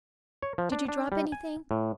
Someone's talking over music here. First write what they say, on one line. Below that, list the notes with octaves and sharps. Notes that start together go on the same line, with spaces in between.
Did you drop anything?
C#5
F3
D4
D4
G3
G#5
A2